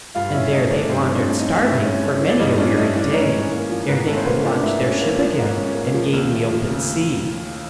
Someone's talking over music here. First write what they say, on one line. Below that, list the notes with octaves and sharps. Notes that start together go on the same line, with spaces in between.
And there they wandered starving for many a weary day, ere they could launch their ship again, and gain the open sea.
G2 F4 F5
C#4 E4 E5
A3 D#4 D#5
E3 D4 D5
G2 C4 C5
C#4
D4 D5
A3
D#4 D#5
E3
G2 E4 E5
C#4
A3
E3 C#5
D5
G2 D#4 D#5
C#4 D4 D5
A3 D#4 D#5
E3 D4 D5
G#2 C#4 C#5
C#4
A#3
F3
G#2 B3 B4
A3 C#4 A4
C5
A#3 B3 B4
F3 D4 D5
G#2 E4 E5
C#4
A#3
F3
G#2
C#4
A#3
F3
D#2
A3
F3
C#3